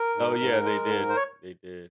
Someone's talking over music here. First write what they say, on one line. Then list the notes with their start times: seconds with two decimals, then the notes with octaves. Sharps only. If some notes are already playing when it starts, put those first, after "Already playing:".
Oh, yeah. They did, they did, if
Already playing: A#4
0.15 G#2
0.39 G#2
0.63 G#3
0.86 G#2
1.09 C5
1.16 C#5